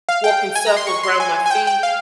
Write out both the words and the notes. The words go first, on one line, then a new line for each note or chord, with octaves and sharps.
walking circles 'round my feet.
F5
G5
G#5
A#5
C6
C#6
C6
G#5
G#5
G5
G5
F5